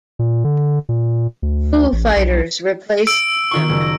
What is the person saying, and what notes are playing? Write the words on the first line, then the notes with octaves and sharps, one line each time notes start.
Foo Fighters replaced them.
A#2
D3
A#2
D2
A1
B1
E6 D7
D#3 F4 C#6
F#1
A#6